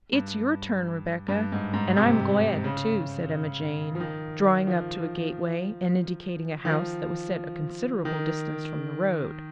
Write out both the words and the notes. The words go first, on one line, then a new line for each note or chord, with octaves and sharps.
"It's your turn, Rebecca, and I'm glad, too," said Emma Jane, drawing up to a gateway and indicating a house that was set a considerable distance from the road.
G2
G2
G#2
G#2
C3
C#3
F3
D#3
F3
D#3
F3
D#3